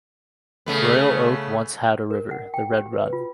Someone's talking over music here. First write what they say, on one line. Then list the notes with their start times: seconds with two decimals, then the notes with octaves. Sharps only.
Royal Oak once had a river, the Red Run.
0.66 C#3 A3 B3
2.11 A#4
2.31 F#5
2.54 G5
2.72 G4
2.93 B4
3.13 F4